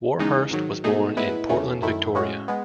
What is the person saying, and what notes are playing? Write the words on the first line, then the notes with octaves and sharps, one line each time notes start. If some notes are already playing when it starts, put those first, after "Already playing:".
Warhurst was born in Portland, Victoria.
E2 C#3 G#3 D#4
G#2 D#3 F#3
B2 A3 D#4 G#4
A2 G#3 B3 E4 B4
E2 C#3 E3 A3 C#4
F#2 D#3 A3 E4
A2 G#3 C#4 F#4
G#3 B3